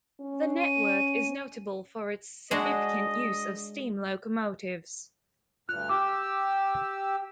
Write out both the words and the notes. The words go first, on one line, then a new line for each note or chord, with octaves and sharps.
The network is notable for its significant use of steam locomotives.
C#4
D#7
G#3 D4 F#4 D#5
D2 G2 F6 F#6
G4 D6 E6